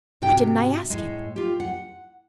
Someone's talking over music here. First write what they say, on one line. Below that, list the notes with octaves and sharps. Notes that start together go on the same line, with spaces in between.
Why didn't I ask him!
G#2 C3 F#4 G5
A2 G#3
F4 G4
F#5